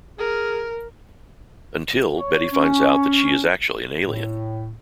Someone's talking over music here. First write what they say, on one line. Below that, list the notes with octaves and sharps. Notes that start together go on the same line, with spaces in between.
Until, Betty finds out that she is actually an alien.
G#4 A#4
C#5
C#4
A2